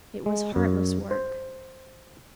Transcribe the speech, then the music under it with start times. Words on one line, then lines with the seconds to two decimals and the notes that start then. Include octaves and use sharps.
It was heartless work.
0.26 G#3
0.56 F#2
1.11 C5